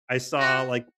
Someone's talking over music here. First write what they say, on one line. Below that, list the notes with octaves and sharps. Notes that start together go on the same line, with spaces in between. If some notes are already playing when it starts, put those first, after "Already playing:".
I saw like
F#4